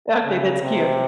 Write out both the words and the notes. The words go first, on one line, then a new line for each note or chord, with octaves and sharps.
Okay. That's cute.
C#3
C3